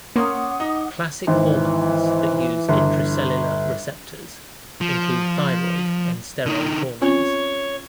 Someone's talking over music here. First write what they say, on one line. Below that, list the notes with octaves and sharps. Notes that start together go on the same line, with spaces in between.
Classic hormones that use intracellular receptors include thyroid and steroid hormones.
A#3 C#4 F#5 C6 D6 D#6
D#4
G#1 E3
G1
F3
D3 D#4
C4 C#4 F4 C#5